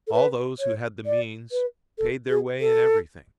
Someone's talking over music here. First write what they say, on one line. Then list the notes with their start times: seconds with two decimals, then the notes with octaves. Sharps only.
All those who had the means paid their way in everything.
0.07 A4
0.13 B4
0.59 C#5
1.06 D5
1.51 B4
1.98 A4
2.29 G#4
2.60 A4